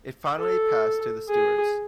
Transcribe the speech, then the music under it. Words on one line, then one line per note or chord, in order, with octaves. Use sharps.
It finally passed to the Stewarts.
A4
G#4